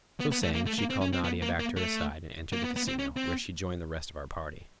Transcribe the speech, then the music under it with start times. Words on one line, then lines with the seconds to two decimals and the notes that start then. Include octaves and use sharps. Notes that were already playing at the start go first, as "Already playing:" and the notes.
So saying, she called Nadia back to her side, and entered the Casino, where she joined the rest of our party.
0.20 B3
0.32 B3
0.43 A3
0.54 A#3
0.66 A3
0.78 A#3
0.90 C4
1.01 C#4
1.13 C4
1.24 B3
1.42 A#3
1.59 A#3
1.76 A3
2.52 A#3
2.64 B3
2.76 B3
2.88 C4
2.99 C#4
3.16 C4